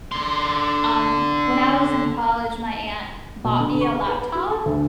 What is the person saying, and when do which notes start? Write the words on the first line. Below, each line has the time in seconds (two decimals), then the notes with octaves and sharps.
Um, when I was in college, my aunt bought me a laptop,
0.12 D3 C6
3.44 B2
3.60 D3
3.81 C#6
4.08 B4
4.35 F#4
4.50 A4
4.66 D2